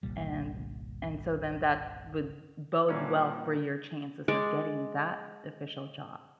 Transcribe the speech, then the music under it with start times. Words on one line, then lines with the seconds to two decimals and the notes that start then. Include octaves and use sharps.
and and so then that would bode well for your chances of getting that official job,
0.03 G1 C2 A#2 G3
2.89 A#2 D3 E3 G3 C#4 D4 A#5 C#7
4.28 G#3 D5